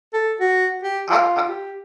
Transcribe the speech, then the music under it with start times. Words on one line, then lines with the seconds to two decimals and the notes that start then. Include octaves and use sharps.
I I
0.14 A4
0.40 F#4
0.83 G4
1.10 F4
1.49 G4